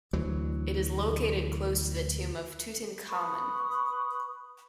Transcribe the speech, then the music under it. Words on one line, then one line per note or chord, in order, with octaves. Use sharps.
It is located close to the tomb of Tutankhamun.
D2 E3 F#3
B4 B5 C#6 D#6